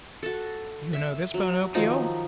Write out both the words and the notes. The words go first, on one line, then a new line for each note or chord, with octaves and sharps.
"Do you know this Pinocchio?"
F#4 A4
E5
F#3 F#4
D#3 F3 F#3 D#4